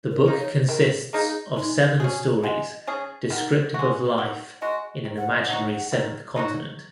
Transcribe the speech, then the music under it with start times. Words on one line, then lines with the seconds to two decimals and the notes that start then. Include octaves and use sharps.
The book consists of seven stories descriptive of life in an imaginary seventh continent.
0.11 A#4
0.26 A#3 D#4
0.40 C#5
0.69 D#3 A#4
1.13 A#3 D#4 G#4
1.56 G#3 D#4
1.99 C#4 F#4 G#4
2.43 G#3 D#5 F#5
2.87 C#4 G#4
3.30 D#3 F#5
3.74 G#3 F#4
4.18 D#3 F#5
4.61 G#3 F#4 D#5
5.05 D#3
5.18 F#5
5.32 D#5
5.44 F#5
5.49 F#3 D#4 F#4
5.92 D#3
6.36 F#3 D#4 F#4